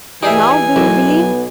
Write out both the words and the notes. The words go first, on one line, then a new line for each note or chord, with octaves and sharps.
Now do you believe?
E3 D#4 G4 G#4 D5 E5 G#5
B1 F#3 E4 A#4
B3